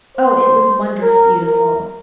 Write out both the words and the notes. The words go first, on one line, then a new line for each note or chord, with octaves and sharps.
Oh, it was wondrous beautiful!
C5
A#4
A#4